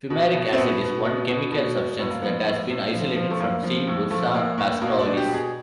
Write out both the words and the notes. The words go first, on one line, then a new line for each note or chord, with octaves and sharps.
Fumaric acid is one chemical substance that has been isolated from "C. bursa-pastoris".
B2
B2
C4
B2 B3
B2
B2
B2
B2
B2
A2 B3
A#3
F3 B3
A2
A2
F3
F3
A3
A2 A#3
F3
A2
F3 A3
A2 A#3
A2 A#3
B2 A#3
D4
B2
G4
B2
G#4